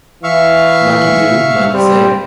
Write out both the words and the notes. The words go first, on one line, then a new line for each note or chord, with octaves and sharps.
Monkey do, monkey say.
E3 E5 F5 C#6
G3 C4